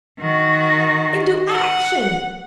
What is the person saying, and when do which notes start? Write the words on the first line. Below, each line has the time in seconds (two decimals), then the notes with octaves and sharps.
Into action!
0.20 D#3 F#4
1.51 F#5